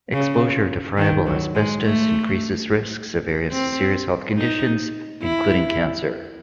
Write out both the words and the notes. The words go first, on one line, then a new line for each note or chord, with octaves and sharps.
Exposure to friable asbestos increases risks of various serious health conditions, including cancer.
C#3
D#3
F#3
G#3
A3
C4
D#4
E4